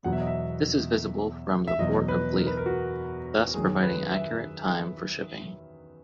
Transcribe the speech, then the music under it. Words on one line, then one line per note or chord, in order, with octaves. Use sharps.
This is visible from the port of Leith, thus providing accurate time for shipping.
E2 B2 F#3 F#5
E5
D#5
E5
E5
E2 B2 F#3 D#5
B4
A#4
B4
A#4
F#4
F#2 D#3 F#3 G#4
B4
E5